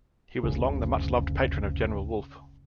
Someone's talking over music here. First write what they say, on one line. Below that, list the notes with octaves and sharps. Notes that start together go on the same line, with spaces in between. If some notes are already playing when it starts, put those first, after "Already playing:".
He was long the much loved patron of General Wolfe.
F#1 D2 C#3